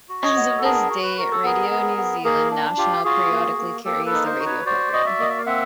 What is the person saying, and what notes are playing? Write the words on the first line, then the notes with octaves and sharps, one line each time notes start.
As of this date, Radio New Zealand National periodically carries the radio program.
F#4
C#5 D#5
B3
A4
D4 G#4 A#4
F#4
B4
F#4 A#4
A4
B3 G#4 A#4
B3
B3
A#3 G#4 A#4
D4
F4 G4
F4 F#4 G#4
A#3
A#3
A#3 G4 A4
A4 B4
D#4
A#4 C5
F#4
B4 C#5
F#4 C5 D5
F#4 D#5
D5 E5
A#3 D#5
E5
F5
C4 E5 F#5